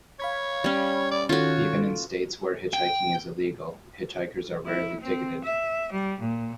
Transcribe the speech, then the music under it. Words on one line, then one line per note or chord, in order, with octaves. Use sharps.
Even in states where hitchhiking is illegal, hitchhikers are rarely ticketed.
C#5 F5 B5 G#6
G3 C#4
D5
D#3 C#4 F4 F#4 A4 C#5
G5
E4
C4
E5
G3
A#2